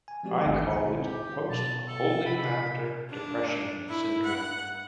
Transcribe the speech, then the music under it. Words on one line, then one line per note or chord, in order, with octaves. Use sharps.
I call it post-Holy Laughter depression syndrome.
G#5
F3 G#3 C4 F#4 G4 D5
G1 D2 D#3 A#3 D4 G#5
C#2 E3 E5 C#7
G#5 A#5 B5
A#2 D3 C4 E4 F#4
G4
B2 A5
A4
C3 B5
D4
E4
F#5